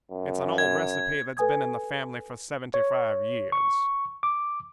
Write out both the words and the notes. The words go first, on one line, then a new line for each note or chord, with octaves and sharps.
It's an old recipe that's been in the family for seventy-five years.
F#2
G#6
A4 B4 G#5 D#6 G#6
C#5
C#6
D6